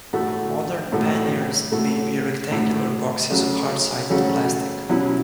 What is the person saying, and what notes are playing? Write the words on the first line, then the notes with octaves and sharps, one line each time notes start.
Modern panniers may be rectangular boxes of hard-sided plastic.
A2 A3 F#4
A2 A3 F#4
A2 A3 F#4
A2 A3 F#4
C#3 F#3 A3 C#4 F#4
C#3 F#3 A3 C#4 F#4
B2 F#3 C#4 E4